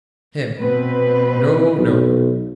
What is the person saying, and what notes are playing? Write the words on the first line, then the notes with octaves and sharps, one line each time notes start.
HIM: No, no.
B2 C4 B4
B1